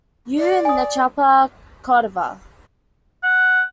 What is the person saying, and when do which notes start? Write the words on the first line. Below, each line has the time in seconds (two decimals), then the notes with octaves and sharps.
U. Nachappa Codava.
0.38 D5
0.65 G#5 D#6
3.23 F#5